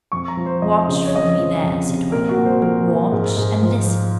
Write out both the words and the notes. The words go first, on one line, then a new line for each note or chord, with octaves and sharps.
Watch for me there, citoyenne, watch and listen. . . .
F2 C#6
A#5
F3
C5
F2 D#5
D#5
C#3
D#5
C#5
F2 D#5
F3
F2
C3
A#2 A#4
F#4
A#2
C5
F3 A#4
F3
G#2
G#2
F3
F3